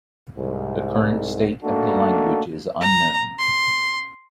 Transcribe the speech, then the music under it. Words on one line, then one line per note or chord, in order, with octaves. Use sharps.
The current state of the language is unknown.
C2 G#2
A3 A#3 D4 D#4 F#4 A4
A#5
C6